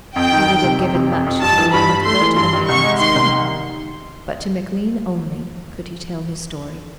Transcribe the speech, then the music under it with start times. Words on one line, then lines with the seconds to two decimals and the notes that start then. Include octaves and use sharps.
He would have given much to be able to go to the men and explain, but to McLean only could he tell his story.
0.16 F2 G5
0.31 D#3
0.47 D#3
0.63 C3
0.79 F2
0.95 C3
1.11 F2
1.26 F2
1.42 G2 A5
1.58 E3
1.73 G2 B5
1.89 G2
2.05 A3 C6
2.21 E3
2.36 G2 C6
2.53 G2
2.68 C2 C#6
2.83 G#3
2.99 D#3 C6
3.15 C2
3.30 D#3